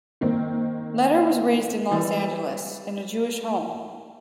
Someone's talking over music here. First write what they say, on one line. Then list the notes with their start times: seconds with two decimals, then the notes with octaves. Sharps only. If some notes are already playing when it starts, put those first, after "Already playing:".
Leder was raised in Los Angeles, in a Jewish home.
0.21 D#3 A#3 C4
1.91 E3 G3